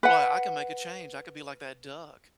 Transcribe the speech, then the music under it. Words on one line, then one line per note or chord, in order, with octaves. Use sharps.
Right, I can make a change, I could be like that duck.
B4 F#5